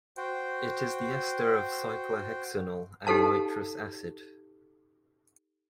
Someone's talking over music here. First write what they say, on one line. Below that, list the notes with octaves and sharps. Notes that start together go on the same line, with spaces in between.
It is the ester of cyclohexanol and nitrous acid.
F#4 C5 G5
D#4 G4 A4 F5 A5